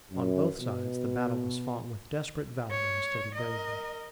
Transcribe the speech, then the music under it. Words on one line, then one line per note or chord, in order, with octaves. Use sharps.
On both sides the battle was fought with desperate valor and a steady bravery.
F#2
B2
C#5
A#4 D#5